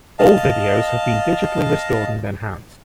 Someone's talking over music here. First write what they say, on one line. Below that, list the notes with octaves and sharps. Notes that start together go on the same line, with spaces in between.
All videos have been digitally restored and enhanced.
D#5 F5 A5